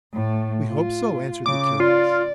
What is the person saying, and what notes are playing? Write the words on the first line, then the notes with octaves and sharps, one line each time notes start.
"We hope so," answered the curates.
A2 A3
F4
C#3 D6
F4 D5